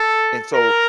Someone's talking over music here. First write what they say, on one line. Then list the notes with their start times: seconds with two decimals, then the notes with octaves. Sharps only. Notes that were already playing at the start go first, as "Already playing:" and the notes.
And so
Already playing: A4
0.54 A#4